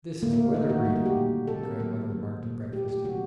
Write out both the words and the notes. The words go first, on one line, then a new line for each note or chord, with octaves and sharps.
"This is a weather-breeder," grandmother remarked at breakfast.
D3 A3 A#3
A#3
D#3 A3 D#4
F#4
D3 G3 A#3 D#4
F#4
G4
A#2 A3
C3 D#3 A3 A4
A#4
C3 F#3 A#3 A4
D#3 F#3 A#3
A#2 A3
A#2 A3 G4
G4
C3 D#3 F#3 F#4